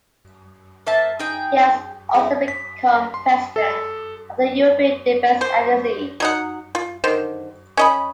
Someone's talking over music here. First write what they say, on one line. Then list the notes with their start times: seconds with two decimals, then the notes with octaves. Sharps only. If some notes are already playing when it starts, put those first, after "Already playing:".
He has also become president of the European Defence Agency.
0.87 A#3 C5 E5 A5
1.19 D#4 G#4 G5
2.15 G#3 A3 E4
2.48 B6
3.14 C6
3.56 A4
5.41 C5
6.20 F#3 D#4 F#5
6.75 F4
7.04 D3 D#3 C5
7.77 C#4 D#5 B5